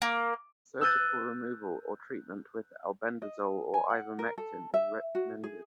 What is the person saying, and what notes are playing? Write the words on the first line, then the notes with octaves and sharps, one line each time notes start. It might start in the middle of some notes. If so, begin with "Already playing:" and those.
Surgical removal or treatment with albendazole or ivermectin is recommended.
A#3
E6 F#6 G6 A6 D#7
D#5
G#5
F#5
A#4
A4
E5
F#4
G#4